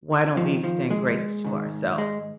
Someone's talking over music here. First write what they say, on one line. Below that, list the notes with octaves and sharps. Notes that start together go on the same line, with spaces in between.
Why don't we extend grace to ourself?"
F2 D#3 F3
F3
G#3
G#2 D#3
G#3